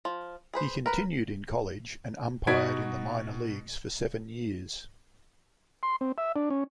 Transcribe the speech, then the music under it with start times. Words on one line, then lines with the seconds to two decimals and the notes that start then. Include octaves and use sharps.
He continued in college and umpired in the minor leagues for seven years.
0.05 F3
0.54 G#4 B4 C5
0.86 A#4 B4
2.47 B2 D#4 F#4 G#6 B6 D7
5.83 C6
6.01 C4
6.18 E5
6.36 D4
6.50 C#4